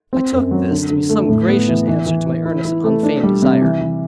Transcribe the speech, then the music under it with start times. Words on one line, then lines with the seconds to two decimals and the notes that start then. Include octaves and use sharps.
I took this to be some gracious answer to my earnest and unfeigned desire.
0.13 C4
0.32 F#2
0.51 F#3
0.71 D3
0.90 D3
1.09 A3
1.29 A2
1.48 B3
1.68 E3
1.88 E3
2.06 E3
2.26 E3
2.45 E4
2.65 E4
2.84 A3
3.03 D4
3.23 G3
3.42 C3
3.62 E3
3.81 E3